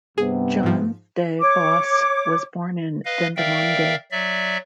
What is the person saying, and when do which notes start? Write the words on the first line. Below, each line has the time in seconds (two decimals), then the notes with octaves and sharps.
Jan De Vos was born in Dendermonde.
0.18 G2 C3 B3 G#4
0.63 G#2 F3
1.40 C#5 D6
3.05 B4 D#5 F5
3.37 A#4 D5 E5 F5 G5
4.11 F#3 D5 E5